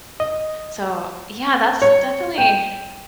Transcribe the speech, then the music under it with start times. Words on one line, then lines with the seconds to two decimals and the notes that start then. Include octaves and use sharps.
So, yeah, that's definitely
0.20 D#5
1.82 C#5
2.38 G5